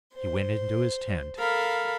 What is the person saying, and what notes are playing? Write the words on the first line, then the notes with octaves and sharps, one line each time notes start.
He went into his tent.
C5
A4 A#4 F5 B5